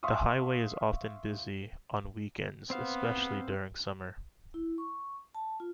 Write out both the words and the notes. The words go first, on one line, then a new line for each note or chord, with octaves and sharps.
The highway is often busy on weekends, especially during summer.
E5 F5 C6 C#6 D#6
B3 C4 C5 F5
E4
C#6
A5
F4